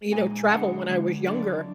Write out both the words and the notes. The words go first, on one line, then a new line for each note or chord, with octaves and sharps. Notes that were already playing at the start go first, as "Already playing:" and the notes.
you know travel when I was younger
A#2 G#3 G#5
D3 G#3 F#5
D3 G#3
D3 F#3 D5